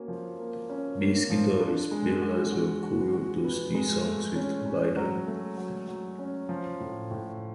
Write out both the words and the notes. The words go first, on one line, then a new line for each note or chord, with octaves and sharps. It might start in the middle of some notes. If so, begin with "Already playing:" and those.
Bass guitarist Bill Laswell co-wrote those three songs with Lydon.
Already playing: A#3 C#4 F#4
F3
A#3
C#4
A#3
F3
D4
G#3
F#4
F#4
F#4
F#4
B3
G#3
A3
C#4
C#4
F#3
A3
F#3
F#3
C#4
F3
A2
A2